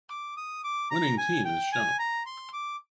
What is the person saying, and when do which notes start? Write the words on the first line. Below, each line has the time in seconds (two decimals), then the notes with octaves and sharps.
Winning team is shown.
0.10 D6
0.37 D#6
0.64 D6
0.91 A#5
1.18 G#5
1.45 G5
1.72 G#5
1.99 A#5
2.26 C6
2.53 D6